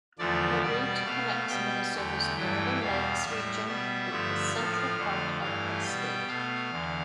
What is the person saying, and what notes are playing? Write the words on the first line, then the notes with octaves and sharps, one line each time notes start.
The route connects Minnesota's northern lakes region with the central part of the state.
E2 D3 F3 A3 D5
B2 G3 D5
B2 A3 F5
B2 G3 G5
E2 D3 A3
G2 E3 A3 G5
E2 B2 G3 F5
A2 G3 E5
B2 G3 E5
G2 D3 F3 A3
A2 F3 A3 F5
F2 D3 A3
G2 E3 A3 F5
B2 G3 G5
B2 A3 F5
E2 D3